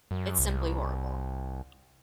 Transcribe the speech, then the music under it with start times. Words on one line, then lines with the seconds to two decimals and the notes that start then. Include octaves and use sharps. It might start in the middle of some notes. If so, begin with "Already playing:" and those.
It’s simply horrible.
0.11 F#2
0.39 C2